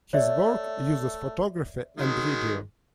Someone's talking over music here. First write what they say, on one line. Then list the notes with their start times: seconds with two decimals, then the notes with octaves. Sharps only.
His work uses photography and video.
0.13 A3 C#5 D5 E5
1.97 D#3 F#3 G#3